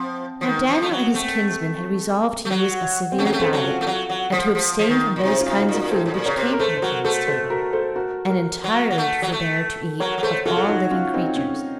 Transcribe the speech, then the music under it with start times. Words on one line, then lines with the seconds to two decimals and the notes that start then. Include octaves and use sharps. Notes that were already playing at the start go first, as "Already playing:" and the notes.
Now Daniel and his kinsmen had resolved to use a severe diet, and to abstain from those kinds of food which came from the king's table, and entirely to forbear to eat of all living creatures.
Already playing: F3 C4
0.41 F3
0.46 D#3
0.69 F3
0.82 A3
0.91 F#3
1.14 A3 C4
2.45 A3
2.50 F#3
3.12 C4
3.19 A3 C#4
3.25 F#3
3.33 A3
3.41 A4 C5
3.53 F#3
3.64 F4 A4
3.81 A3
3.87 F#3
4.10 F#3
4.32 F3
4.55 F3
4.79 F3
4.89 D#3
5.16 A#2
5.23 C3 D#4 F#4
5.40 C#4 F4
5.46 C3
5.51 F4
5.57 D#4 F#4
5.68 A#2
5.74 F#4 A#4
5.82 A#2
5.91 A2 A4 C5
6.06 A2
6.14 A#2
6.26 C#3 A#4 C#5
6.36 C3
6.53 A#4
6.59 A3 A4 C5
6.77 C5
6.82 F#3 F#4 A#4
7.04 A3 A4 C5
7.27 A4 C5
7.50 F#4 A#4
7.73 A4 C5
7.96 F#4 A#4
8.29 F#4 A#4
8.64 F#3
8.91 F#3
8.98 A3
9.22 F#3
9.32 A3
10.00 F#3 A#4 C#5
10.18 F#3
10.23 A3 A4 C5
10.45 F#3 F4 A4
10.57 A4
10.68 D#4 F#4
10.91 C#4 F4
11.14 C4 D#4
11.37 C#4